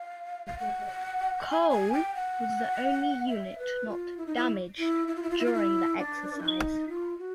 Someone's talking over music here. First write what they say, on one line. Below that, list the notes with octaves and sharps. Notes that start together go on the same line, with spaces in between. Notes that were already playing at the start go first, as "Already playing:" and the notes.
"Cole" was the only unit not 'damaged' during the exercise.
Already playing: F5
F5
F#5
G#5
G#5
G5
F#5
E5
B4
F4
E4
D#4
E4
E4
E4
F4
E4
F4
E4
F4
E4
D4
E4
D#4
F4
F#4